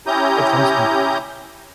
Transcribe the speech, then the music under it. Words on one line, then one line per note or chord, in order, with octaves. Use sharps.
That's awesome.
C#4 E4 G4 A#5 D#6 G6